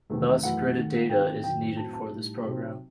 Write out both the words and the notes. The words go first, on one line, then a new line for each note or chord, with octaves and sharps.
Thus, gridded data is needed for this program.
E2 C3 D#3 A3
F#2 E3 A3 E4 F#5
D#3 A3 D#4
D#3 F#3 C4 D#4 G5
F#2 D#3 F#3 C4 G5
A2 F#3 C4 A5
A5
A2 G3 D#4
C3 F#3 C4 D#4